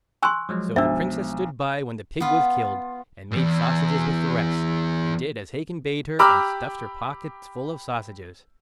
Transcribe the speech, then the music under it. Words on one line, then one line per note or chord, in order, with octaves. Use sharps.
So the Princess stood by when the pig was killed, and made sausages with the rest, and did as Hacon bade her, and stuffed her pockets full of sausages.
G#5 C6 C#6 E6 F#6
F3 F#3 G#3
B1 D4 C5 E5 E6
B3 F4
E2 G#2
G4 A#5 B5 D6 E6 F6